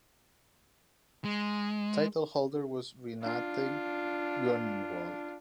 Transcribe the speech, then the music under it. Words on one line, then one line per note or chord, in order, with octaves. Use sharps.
Title holder was Renate Groenewold.
G#3
D4 F4